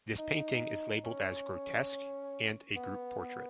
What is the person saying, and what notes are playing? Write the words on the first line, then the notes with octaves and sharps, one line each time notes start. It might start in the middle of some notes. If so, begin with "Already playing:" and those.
This painting is labelled as "grotesque" and "a group portrait".
D#4
C#4
B3
B3